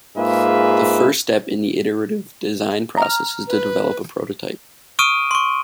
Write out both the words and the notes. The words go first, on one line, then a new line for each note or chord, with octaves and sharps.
The first step in the iterative design process is to develop a prototype.
G#2 A#3 F4 G#4 B4 E5
A#5 F6
B4
C#6 D#6 F6 D7 D#7
C6 C#6